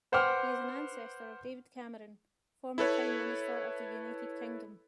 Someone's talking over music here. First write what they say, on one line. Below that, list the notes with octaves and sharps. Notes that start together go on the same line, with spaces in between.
He is an ancestor of David Cameron, Former Prime Minister of the United Kingdom.
B4 C5 F#5 G5 D6 F6
E4 A4 B4 C#5